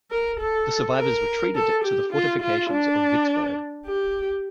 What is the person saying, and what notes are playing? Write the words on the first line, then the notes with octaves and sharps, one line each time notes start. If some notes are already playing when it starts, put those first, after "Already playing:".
The survivors retreated to the fortifications of Vicksburg.
A#4
A4
A#4
A4
G4
F4
F4
D4
G4